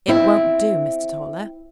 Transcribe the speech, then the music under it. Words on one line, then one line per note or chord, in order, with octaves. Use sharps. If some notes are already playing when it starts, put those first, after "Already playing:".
"It won't do, Mr. Toller!"
C4 E4